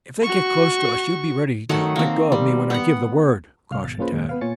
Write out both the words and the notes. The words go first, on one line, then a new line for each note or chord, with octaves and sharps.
"If they get close to us, you be ready to let go of me when I give the word," cautioned Tad.
F#4 C#6
D#3 F#3 A3 F#5
A#3 C4
G3
B3 F#5
C2 F5 F6
G#1 B2 A6
A#3 C#4 F4 G#4 B4 C5
D#2 A#2 G#3
B3 B4 F5
A#2 F4 C#5 G#5 A6 C#7